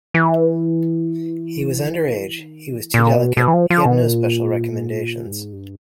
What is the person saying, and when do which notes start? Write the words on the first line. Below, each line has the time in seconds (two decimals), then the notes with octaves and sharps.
He was under age, he was too delicate; he had no special recommendations.
0.14 E3
2.03 D#3
2.09 E3
2.40 D#3
2.73 E3
2.94 A#2
3.16 B2
3.37 B2
3.48 E3
3.54 F3
3.70 F3
3.85 B2
4.02 A#2
5.26 G2
5.32 G#2
5.53 G2